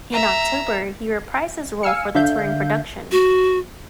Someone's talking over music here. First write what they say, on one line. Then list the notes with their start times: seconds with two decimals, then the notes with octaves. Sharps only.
In October, he reprised his role for the touring production.
0.13 E5 A#5
1.83 F5 G#5 E6 F6 C#7
2.14 D3 D4 E5 F5 G6
3.11 F#4